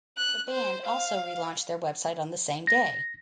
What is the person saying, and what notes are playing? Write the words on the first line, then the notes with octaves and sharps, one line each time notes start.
The band also relaunched their website on the same day.
F#6
C5
F5
A#6